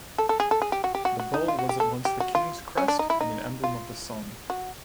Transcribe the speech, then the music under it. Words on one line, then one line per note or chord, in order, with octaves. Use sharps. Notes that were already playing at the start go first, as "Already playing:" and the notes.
The bull was at once the king's crest and an emblem of the sun.
A4
A4
G#4
A4
G#4
G4
F#4
G4
F#4
F#4
D#4
F4
F#4
G4
A4
G4
F#4
F4
C#4
D4
D#4
E4
D#4
F4
F#4